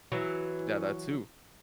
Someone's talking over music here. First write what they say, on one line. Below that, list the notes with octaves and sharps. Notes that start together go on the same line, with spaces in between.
Yeah, that too.
E3 F#3